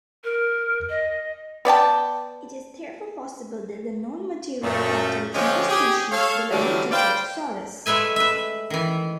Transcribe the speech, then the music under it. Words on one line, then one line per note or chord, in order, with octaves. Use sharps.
It is therefore possible that the known material contains more species belonging to "Plateosaurus".
A#4
D#5
B3 D5 G5 A5
F#2 A#2 A3
D3 F3 G#3 C#4 F4 G4
G4 G#4
A4 C#5 F5
D3 E3 F#3 G3 A3 A#3
B4 C5 D5 F5 G5
G#3 A3 B4 E5 G#5
B4 E5
D#3 E3